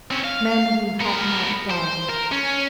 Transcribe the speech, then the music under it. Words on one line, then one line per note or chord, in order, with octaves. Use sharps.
Men who had not died!
C4 C#4
F5
B3 A#4
C5
A#4
C#4